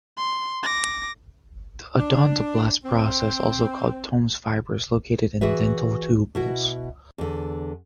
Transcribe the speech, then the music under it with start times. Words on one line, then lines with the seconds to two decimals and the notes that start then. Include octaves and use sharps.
The odontoblast process, also called Tomes fiber, is located in dentinal tubules.
0.17 C6
0.63 D6 A#6
1.99 D4
2.84 C4
5.41 E3 F#4 G#4 B4 E5
6.35 B2 E4 F#4
7.18 E2 D3